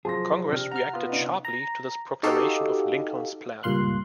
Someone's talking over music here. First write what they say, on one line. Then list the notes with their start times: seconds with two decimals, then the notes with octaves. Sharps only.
Congress reacted sharply to this proclamation of Lincoln's plan.
0.05 C3 F3 F#3 G#4 A5 C6 A#6
0.52 C3 D4 G4 F6
0.72 F#5 A#5 F6
0.93 B3 F4
1.09 D4 D#4
1.45 A#5
2.23 D#4 F#4 G4 A4 F5
3.63 C#2 G2 A#2 F5 C6 F#6